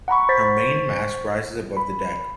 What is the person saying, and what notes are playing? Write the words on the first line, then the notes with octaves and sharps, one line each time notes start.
Her main mast rises above the deck.
F#5 A#5 B5 C#6
C5 C#6 A6 B6
B5